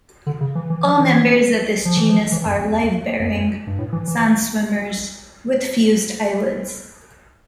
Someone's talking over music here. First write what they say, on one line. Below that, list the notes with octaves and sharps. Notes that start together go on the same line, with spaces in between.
All members of this genus are live-bearing, sandswimmers, with fused eyelids.
D3
C#3
E3
E3
F3
E3
F3
E3
F3
E3
F2
E2
F2
G2
A2
E3
E3